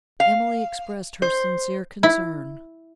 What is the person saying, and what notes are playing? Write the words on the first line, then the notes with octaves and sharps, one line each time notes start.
Emily expressed her sincere concern.
F5
C5
E4